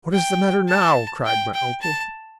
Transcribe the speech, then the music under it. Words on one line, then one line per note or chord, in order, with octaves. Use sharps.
"What is the matter now?" cried my uncle.
G5
A5
G5
G5
A5